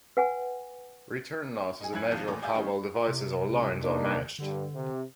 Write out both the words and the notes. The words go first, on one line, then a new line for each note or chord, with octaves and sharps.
Return loss is a measure of how well devices or lines are matched.
B4 F#5 G#5
D#4 G#4
F#2 E4 G#5 F#6 G#6 F#7
G#1 C3 F3 A5 G6 D#7
A1 A#2 A3 G#5 D6
G#4 D5 E5 F5 G#5 G6
D#3 G#3 A3 C#4 D#4
C3
C#2
A#3 D4 D#4
G2 D3
C3